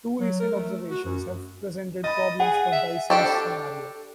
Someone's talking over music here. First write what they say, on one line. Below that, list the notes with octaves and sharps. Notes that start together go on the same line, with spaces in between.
Two recent observations have presented problems for Dyson's scenario.
F#3
A#4
A3
F#4
F#2
D#5 B5 A6
G#4 F#5
E5
D4 G4 A4